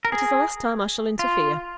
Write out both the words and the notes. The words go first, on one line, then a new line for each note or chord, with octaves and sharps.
It is the last time I shall interfere.
A#4
G#4
F4